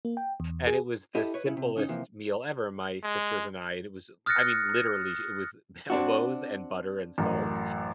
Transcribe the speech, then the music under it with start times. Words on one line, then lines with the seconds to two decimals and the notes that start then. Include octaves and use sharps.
and it was the simplest meal ever, my sisters and I and it was I mean, literally, it was elbows and butter and salt,
0.05 A#3
0.17 G5
0.40 E2
0.67 G#4
1.15 E4 G4 A4 D#5
1.34 B4 C#5
1.46 C#3 C#4 E4
1.57 C3
1.76 C#3 C#4 D#4
1.89 C3 E3 F3 A#3
3.03 G#3
4.26 D#6 F6 F#6 A6 A#6 C#7
5.90 C4 D4 F#4
7.18 A1 F#2